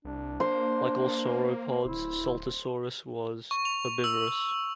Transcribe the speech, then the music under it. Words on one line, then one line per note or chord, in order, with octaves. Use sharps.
Like all sauropods, "Saltasaurus" was herbivorous.
C2 D4
A#3 C5
D1 E4
C#6
F7
E6